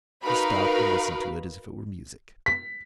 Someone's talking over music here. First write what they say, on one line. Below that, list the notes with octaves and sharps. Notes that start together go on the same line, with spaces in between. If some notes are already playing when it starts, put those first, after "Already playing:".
She stopped, and listened to it as if it were music.
D#4 F#4 A#4 B4 F5 B5
B6